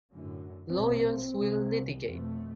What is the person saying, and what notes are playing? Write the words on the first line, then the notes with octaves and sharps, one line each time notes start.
Lawyers will litigate.
F#2 A2 D3
A#1 B2 C4
C2
F2 B2 A3